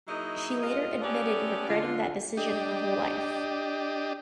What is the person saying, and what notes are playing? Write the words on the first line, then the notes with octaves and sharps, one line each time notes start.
She later admitted regretting that decision her whole life.
F#3 A#3 D#4 E4 G#4 D#5
C3 G#3 F4 A#4 D#5
A3 B3 C#4 G4 D5
D3 F4
D4 G4 D#5